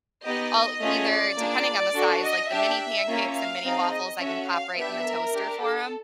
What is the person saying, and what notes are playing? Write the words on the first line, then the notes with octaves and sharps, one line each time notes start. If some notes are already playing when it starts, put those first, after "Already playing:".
I'll either depending on the size, like, the mini pancakes and mini waffles, I can pop right in the toaster for 'em,
B3 D#4 G4 D#5
A3 C#4 F4 G#4
D5
A#3 D4 F4 G#4
D4 F#4 A4
D#5
D4 G4 E5
A#3 C#4 F4
F5
C4 D#4 G#4
D#5
C#4 F#4 A4 E5
F5
B3 D4 G4 E5
A#4
D4 G4
A4